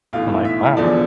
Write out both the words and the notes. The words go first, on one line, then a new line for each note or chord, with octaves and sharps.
I'm, like, "Wow.
B1 A2 E3 F5
E5
E1 E2 D3 F3 D5